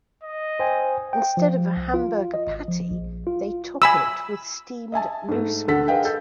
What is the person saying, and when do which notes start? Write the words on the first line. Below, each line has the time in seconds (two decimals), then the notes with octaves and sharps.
Instead of a hamburger patty, they top it with steamed loose-meat.
0.24 D#5
0.60 C5 G5 G#5
1.13 G5
1.37 F3
1.77 C2
1.94 F4
2.34 D#5
2.47 G#1
2.69 F3
2.91 A#1
3.27 F4
3.82 G#5 B5 E6
4.92 D#5 E5 G#5 A5
5.28 G#2 A3
5.68 D2 D3 A4 F#5 B6
5.88 G#4 A#4 B4 D#5 F5 G5
6.05 A4 G6